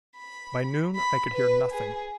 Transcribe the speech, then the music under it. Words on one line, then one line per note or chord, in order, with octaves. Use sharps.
By noon I could hear nothing.
B5
B5
B4
G#4